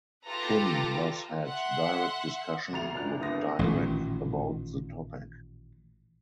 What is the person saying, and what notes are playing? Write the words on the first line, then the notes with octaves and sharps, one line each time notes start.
Kim thus had direct discussion with Dirac about the topic.
F4 G4 A4 B4 A#5
E5 F#5 C6
D2 F#4 A#5 A6 C7 F7
F#1 C#2 F3 D4 F#6
C2 D3 B3 D#6 A#6
A1 A#2 D#3